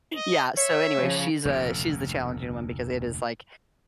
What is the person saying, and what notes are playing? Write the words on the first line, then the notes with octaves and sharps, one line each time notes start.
Yeah, so anyway, she's, uh, she's the challenging one because it is like,
D#5
C#5 E5
C#3 F3
F1 D2 A#2